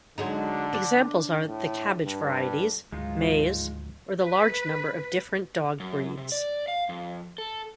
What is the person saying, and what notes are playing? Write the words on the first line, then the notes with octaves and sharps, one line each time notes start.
Examples are the cabbage varieties, maize, or the large number of different dog breeds.
D3 F#3 G#3 D#4
D4
A2
G2
D2 G#2 D#3 F#3 G#3 D#4 F4
F3
B4
F#2
C3
D5
F5
F2
A4